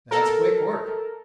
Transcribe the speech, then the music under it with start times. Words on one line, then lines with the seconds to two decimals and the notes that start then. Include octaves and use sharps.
That's quick work.
0.11 A4 A#4